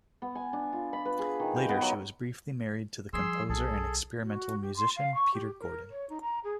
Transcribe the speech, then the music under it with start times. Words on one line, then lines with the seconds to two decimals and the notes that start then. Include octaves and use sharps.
Later, she was briefly married to the composer and experimental musician, Peter Gordon.
0.22 B3
0.35 G#5
0.53 D4
0.73 F4
0.93 B5
1.05 B4
1.19 G#4
1.40 D#3
1.56 G5
1.69 B3
1.82 F#3
3.13 F3 G3 G#4 C6 E6
3.49 B1 G#4 A4
4.23 F#4
4.62 G4
4.76 C6
4.96 F5
5.15 C#6
5.34 G4
5.60 A#4
5.91 C#5
6.09 D#4
6.21 A#5
6.44 G#4